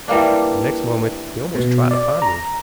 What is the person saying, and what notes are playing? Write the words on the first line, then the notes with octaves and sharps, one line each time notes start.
The next moment he almost trod upon me.
E3 G3 A#3 D4
B2
D5
A#5